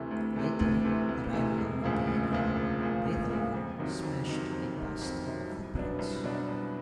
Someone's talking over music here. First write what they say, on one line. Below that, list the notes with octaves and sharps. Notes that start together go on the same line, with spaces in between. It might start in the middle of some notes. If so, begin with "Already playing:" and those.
Later, arriving home in Vienna, Beethoven smashed a bust of the Prince.
Already playing: D2 C3 E3 A3
D2
C3 E3 A3
D2
C3 E3 A3
D2
C3 E3 A3
E1
D2 C#3 F3 A#3
E1
D2 C#3 F3 A#3
E1
D2 C#3 F3 A#3
E1
D2 C#3 F3 A#3
F2
C3 D#3 F#3
F2
C3 D#3 F#3
F2
C3 D#3 F#3
F2
C3 D#3 F#3
C2
B2 F#3 B3 D4
C2
B2 F#3 B3 D4
C2